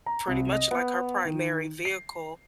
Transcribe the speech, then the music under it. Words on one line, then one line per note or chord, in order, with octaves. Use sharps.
pretty much, like, her primary vehicle,
A#5
C2
D#5
B3
D#3
C7